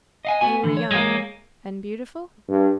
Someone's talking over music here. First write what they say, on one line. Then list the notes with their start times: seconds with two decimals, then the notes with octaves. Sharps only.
"You were young, and beautiful?..."
0.25 D#5 F5 G#5
0.41 B3 F#4 G#5
0.64 D3 E3
0.77 C#5
0.92 G#3 A#3
2.49 G2